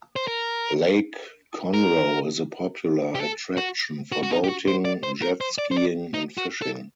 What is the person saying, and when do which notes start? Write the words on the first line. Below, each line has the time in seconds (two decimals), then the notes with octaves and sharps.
Lake Conroe is a popular attraction for boating, jet-skiing, and fishing.
0.16 C5
0.27 A#4
1.74 A#4
3.15 G4
3.20 A4
3.57 F#4
4.12 F#4
4.23 F#4
4.31 D#4
4.44 G4
4.49 F#4
4.68 C5
4.85 D5
5.03 C5
5.22 A#4
5.41 C5
5.58 D5
5.71 C5
5.77 D5
6.14 D#4
6.37 F#4
6.62 A4